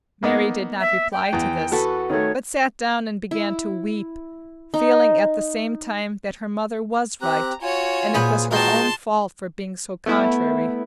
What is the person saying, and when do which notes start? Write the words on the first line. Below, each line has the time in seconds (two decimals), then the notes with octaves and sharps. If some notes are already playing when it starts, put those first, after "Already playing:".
Mary did not reply to this, but sat down and began to weep, feeling at the same time that her mother was right and it was her own fault for being so contrary.
0.23 A#3 B3 D#4
0.80 E5
1.12 G5
1.33 E2
1.72 F#4 A4 B4
2.10 D#3 A3 C#5
3.31 E4
4.74 D#4
7.22 C4 G4 A#5 F#6
7.62 F4 F#4 C#5 G#5
8.14 A#2 G#4 B4 C5
8.51 G#3 F4 F#4 G5 A5 A#5 C6
10.06 A3 B3 E4